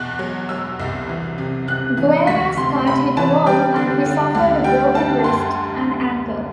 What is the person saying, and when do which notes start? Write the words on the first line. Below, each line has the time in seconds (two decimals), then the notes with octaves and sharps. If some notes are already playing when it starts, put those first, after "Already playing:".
Guerra's car hit a wall, and he suffered a broken wrist and ankle.
Already playing: E2 B2 F#6
0.19 F#3
0.49 F#3 E6
0.80 C2
1.09 E3
1.38 C3
1.68 C3 F#6
1.97 E3
2.27 D2 B6
2.57 C3 C6
2.87 C3 B5
3.17 E3 A5
3.46 G3 G5
3.76 D3
4.06 D3
4.35 D2
4.64 G3 G5
4.95 D3 A5
5.24 F#2 C6